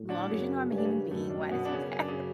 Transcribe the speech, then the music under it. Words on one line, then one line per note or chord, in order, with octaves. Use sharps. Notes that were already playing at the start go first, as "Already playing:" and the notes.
"Long as you know I'm a human being, why does it matter?
Already playing: A2
D3 D4
F#2 C#3 C#4
G2 C#4
D4
C#3 C#4
F#2 A2 A3
D4
C#4
B2 B3
D4
C#3 C#4
F#2 C#4
D4
C#3 C#4